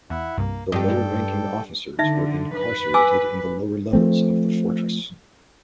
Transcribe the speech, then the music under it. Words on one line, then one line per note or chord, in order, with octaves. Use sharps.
The lower-ranking officers were incarcerated in the lower levels of the fortress.
E2 E4 E5 F#5
C2 G2 A#3
G2 G4 A4 D#5 G5
G3 G#3 A#3
D3 D#4 E5
B4
G#5 D6 E6
F3 A3 C4